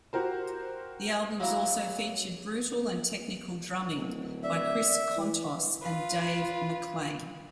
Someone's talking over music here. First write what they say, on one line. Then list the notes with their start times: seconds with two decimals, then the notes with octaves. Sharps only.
The albums also featured brutal and technical drumming by Chris Kontos and Dave McClain.
0.13 F#4 G4 A#4 C5
1.40 F#3 A#3 E4 A#5
3.97 D1
4.43 D5 E5
5.17 E3
5.81 F4 B4